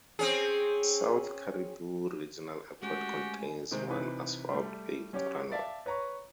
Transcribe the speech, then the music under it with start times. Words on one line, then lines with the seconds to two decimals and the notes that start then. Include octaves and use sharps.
South Cariboo Regional Airport contains one Asphalt paved runway.
0.19 C4 C#4 G#4
2.82 G#3 A3 C#4 F#4 G4 G#5
3.71 C3 D#3 G#3 C4
3.87 C3 E3 D#4 B4
4.49 G3 A3
5.13 F#3 C#4 F#4 G4 C#5
5.51 D5 E5 F5 A5
5.86 B4 C#5 A#5 C#6